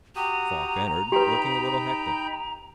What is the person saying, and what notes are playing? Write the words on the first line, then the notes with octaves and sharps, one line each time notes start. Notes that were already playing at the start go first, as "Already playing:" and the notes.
Falk entered, looking a little hectic.
F#4 G4 A#5 D#6
D#4 G4 B4 G5 B5